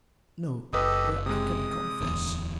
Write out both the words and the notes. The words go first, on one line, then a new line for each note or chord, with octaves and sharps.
"No, where I can confess."
F#1 G4 A4 B4 D#5 D#6
C3 G#3 D#6
D1 E2